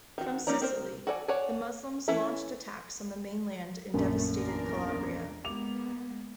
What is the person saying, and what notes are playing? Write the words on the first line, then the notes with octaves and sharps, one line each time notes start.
From Sicily, the Muslims launched attacks on the mainland and devastated Calabria.
D#3 F#4
A#3 C#4 D#4 D5 A#5
C4 A#4 C5
F#4 A4 D5 G#5
C#5 D5 F#5 G#5 A5
E3 C#4 E4 A4 E5
A#1 F#2 A3
E2 D4 A#4
G#3 A#3 B3 D6 F7